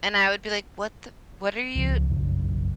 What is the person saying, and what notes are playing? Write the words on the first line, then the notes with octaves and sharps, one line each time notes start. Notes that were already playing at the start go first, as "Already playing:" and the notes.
And I would be like, "What the what are you
C#2 C#3 F3
F1 B1 F#2 C#3